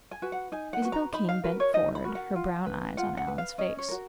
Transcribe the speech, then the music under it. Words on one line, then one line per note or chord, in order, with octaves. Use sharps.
Isabel King bent forward, her brown eyes on Alan's face.
G#5
F#4 B4
F#5
D#4 G#5
F#5
F#4 B4
A#5
D#4 B5
F5
F#4 A#4 B4
C#5
D#4 D#5
B5
F#4 A#4
F#5
F4
B4
F4 F#5
F#5
B4
F5
C#4 D#5
C#5
F#4 A#4